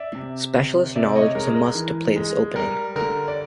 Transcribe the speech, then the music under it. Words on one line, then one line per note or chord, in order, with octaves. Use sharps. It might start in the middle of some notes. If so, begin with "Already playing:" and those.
Specialist knowledge is a must to play this opening.
Already playing: D5 E5
C3
C3
C3 D5 E5
C#5 D#5
G#3 A#4
A#4
E3
G#3
G3 A#4
D3 A#4
D5